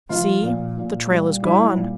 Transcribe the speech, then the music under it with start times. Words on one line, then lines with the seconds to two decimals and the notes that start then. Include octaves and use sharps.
See, the trail is gone!
0.09 F3 F4
0.42 A#2
0.77 A#2
1.10 G3
1.43 G3 E4
1.76 A#2